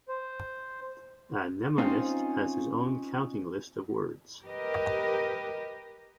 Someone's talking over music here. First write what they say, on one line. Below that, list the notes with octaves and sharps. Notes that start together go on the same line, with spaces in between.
A mnemonist has his own "counting list" of words.
C5
C4 C#4 D#4 F4
G4 A#4 B4 D#5